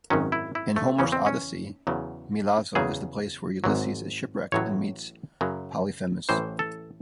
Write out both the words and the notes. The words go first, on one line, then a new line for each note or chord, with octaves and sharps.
In Homer's "Odyssey" Milazzo is the place where Ulysses is shipwrecked and meets Polyphemus.
G#1 F#2 D#3 F#3 C#4
E4
E4
A3
E2 C#3 E3 C#4
C4
C#4
E2 C#3 F#3
E2 C#3 F#3 G#4
G#1 G#2 F#3
A1 A2 F#3 C#5
F#2 C#3 F#3
A1 A2 E3 C5
A4